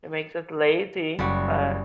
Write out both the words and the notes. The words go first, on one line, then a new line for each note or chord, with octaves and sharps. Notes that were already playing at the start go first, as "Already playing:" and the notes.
It makes us lazy, but,
F#1 G3 F#4